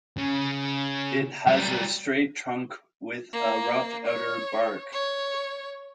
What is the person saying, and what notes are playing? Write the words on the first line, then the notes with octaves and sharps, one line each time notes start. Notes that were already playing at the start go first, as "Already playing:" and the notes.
It has a straight trunk with a rough outer bark.
C#3
F#3 G3
A#3
C#5
C#5